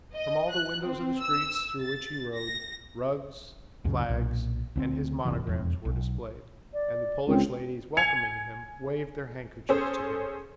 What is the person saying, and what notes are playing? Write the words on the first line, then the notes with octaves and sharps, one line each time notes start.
From all the windows of the streets through which he rode, rugs, flags, and his monogram were displayed, and the Polish ladies, welcoming him, waved their handkerchiefs to him.
D#5
F#6
C4
E6
A6
A#6
C#2 F#2 A#2 C#3
B1 A#2
D2 B3 C4
D1 C3 E3
E1 F2
B1
D5
C#2 C4
G#5 G#6 C#7 F7
C#4 G#4 A4 C5